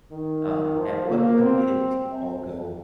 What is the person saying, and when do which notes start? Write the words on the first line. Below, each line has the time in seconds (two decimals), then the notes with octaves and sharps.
um, at what point did it just all go
0.12 D#3
0.77 F3
1.09 A#3
1.42 C4